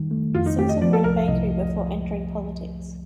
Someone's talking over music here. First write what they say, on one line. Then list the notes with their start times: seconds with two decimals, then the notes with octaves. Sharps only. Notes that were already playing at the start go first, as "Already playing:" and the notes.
Simpson ran a bakery before entering politics.
Already playing: D#3 G3
0.11 A3
0.34 F2 F4
0.46 D#4
0.58 A3 G4
0.69 D#5
0.81 F3 D5
0.93 A4
1.04 C2 A#4
1.17 F5
1.28 C2 D#5